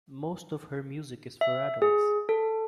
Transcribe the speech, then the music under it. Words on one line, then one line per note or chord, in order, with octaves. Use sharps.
Most of her music is for adults.
E5
G#4
A4